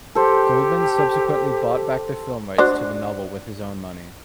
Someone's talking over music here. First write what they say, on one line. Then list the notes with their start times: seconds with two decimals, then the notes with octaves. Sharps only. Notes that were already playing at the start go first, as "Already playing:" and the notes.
Goldman subsequently bought back the film rights to the novel with his own money.
0.15 G4 A4 C5
2.58 D4 F#4 C5